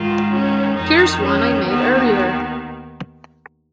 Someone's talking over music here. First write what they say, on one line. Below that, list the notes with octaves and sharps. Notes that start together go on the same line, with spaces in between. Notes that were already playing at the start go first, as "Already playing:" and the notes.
Here's one I made earlier!.
Already playing: G#2 D#3 F4
C#4
F2 D#3 D#4
C#4
D#2 D#3 B3